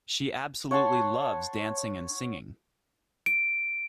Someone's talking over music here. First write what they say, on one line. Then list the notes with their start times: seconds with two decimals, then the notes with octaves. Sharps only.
She absolutely loves dancing and singing.
0.71 C#5 F#5 A5 C6
3.26 D7